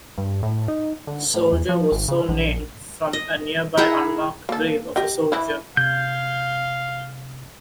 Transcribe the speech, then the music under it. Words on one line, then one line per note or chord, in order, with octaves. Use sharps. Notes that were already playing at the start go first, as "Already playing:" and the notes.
Soldier was so named from a nearby unmarked grave of a soldier.
G2
A2
D#4
D3
A2
E2
F3
G#1
C#3
A#1
D#5
E4 G#4 F#5 A#5
A#3 A4
G4 D#5 G5
E3 E4
C3 F5 G6 G#6